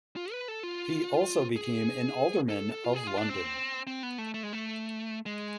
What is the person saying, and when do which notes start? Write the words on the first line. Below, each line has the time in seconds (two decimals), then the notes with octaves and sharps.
He also became an Alderman of London.
0.17 F4
0.32 B4
0.48 A4
0.63 F4
1.56 G#4
2.49 A4
2.72 A4
2.84 F4
2.95 G#4
3.07 F4
3.17 D4
3.29 C4
3.87 C4
4.03 B3
4.18 A3
4.34 A3
4.43 G#3
4.53 A3
5.26 G#3